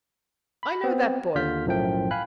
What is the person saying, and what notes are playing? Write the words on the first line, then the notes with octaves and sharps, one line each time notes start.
I know that boy.
B5
B3 C4
D#2 D3 F4 F6 G6 B6
B1 F#2 A2 F3 A3 G5
F5 G#5 B5 F#6